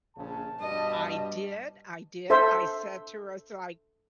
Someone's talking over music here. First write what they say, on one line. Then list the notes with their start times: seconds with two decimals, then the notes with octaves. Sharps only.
I did, I did, I said to Rosa, like,
0.17 A#1 C#3 A5
0.60 G2 B2 G3 D#5
2.30 A4 C5 E5